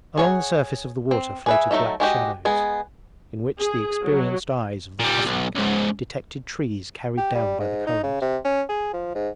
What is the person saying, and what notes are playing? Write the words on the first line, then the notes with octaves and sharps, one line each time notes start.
Along the surface of the water floated black shadows, in which the experienced eyes of the Cossack detected trees carried down by the current.
G#4 C#5 F#5
C4
G#4 B4 E5
F#3 A3 D#4 E5
G#3 F#4 G4 D#5
G#3 B3 G#4
G#4
F#3
A#2 G3
B1
C#2 G#2
G4
G3
G#2
D#4
C#3
C3
C#4
G#4
F3
G#2